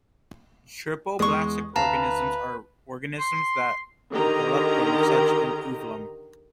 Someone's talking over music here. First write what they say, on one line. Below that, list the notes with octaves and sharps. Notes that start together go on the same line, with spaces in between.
Triploblastic organisms are organisms that develop from such an ovum.
E2 G#3 C#6 D#6
D2 B4 F5 A5 A#5
C6
D3 D#3 G4 A#4 D#5 A#5